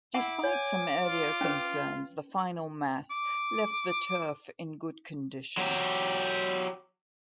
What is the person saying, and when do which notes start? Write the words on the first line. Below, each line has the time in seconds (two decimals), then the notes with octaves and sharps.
Despite some earlier concerns the final mass left the turf in good condition.
0.14 E4 F#5 D6
0.44 C#5 G#5
1.02 F4
1.41 C#4 B4
3.10 D6
5.57 F#3 G4